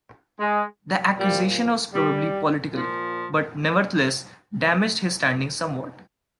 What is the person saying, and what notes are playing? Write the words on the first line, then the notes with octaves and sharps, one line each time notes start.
The accusation was probably political, but nevertheless damaged his standing somewhat.
G#3
A#2 F3 G3
G3
A#2 F3